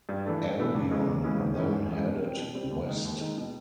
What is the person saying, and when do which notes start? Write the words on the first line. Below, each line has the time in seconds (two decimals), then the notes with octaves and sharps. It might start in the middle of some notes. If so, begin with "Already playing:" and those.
"Albion" then headed west.
0.09 G2
0.25 E3 A3 D4
0.41 G2
0.57 E3 A3 D4
0.74 C#2
0.91 C#3 E3 G#3 C#4
1.07 C#2
1.24 C#3 E3 G#3 C#4
1.40 G#1
1.56 G#2 E3 G#3 C#4
1.72 G#1
1.89 G#2 E3 G#3 C#4
2.06 B2
2.22 G3 C4
2.38 B2
2.55 G3 C4
2.71 D#2
2.88 D#3 G#3
3.05 D#2
3.21 D#3 G#3
3.38 B2